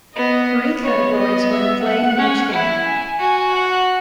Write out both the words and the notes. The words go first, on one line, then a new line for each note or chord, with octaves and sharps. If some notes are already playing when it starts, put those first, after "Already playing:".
Three categories were in play in each game.
B3 D#5
B3 C#5
D#5
E5
F#5
C#4
E4
G#5
F#4 G#5
F#5